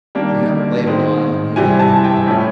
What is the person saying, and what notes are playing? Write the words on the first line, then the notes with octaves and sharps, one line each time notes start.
We haven't laid an eye on him, along the road.
D#3 G3 A#3 D4
D#3 G#3 C4
C3 E3 G3 G#5
A5
G5
A2 F3 A3 C#4 E5